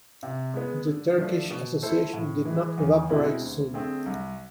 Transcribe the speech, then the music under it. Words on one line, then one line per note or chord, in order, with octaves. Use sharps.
The Turkish association did not evaporate soon.
C3
G#3 B3
D3
F3 A3 D4
B2
A3 E4 A4 C5
A2
E3 G#3
E2
B2 G#3 C4 E4
D2
D3 A3 C4 G#4
C2